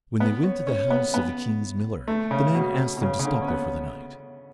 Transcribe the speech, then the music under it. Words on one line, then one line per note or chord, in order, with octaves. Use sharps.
When they went to the house of the king's miller, the man asked them to stop there for the night.
B3
C#4
C#4
B3
B3
A3
C#3
B2
B2
C#3
C#3
D3
C#4
B3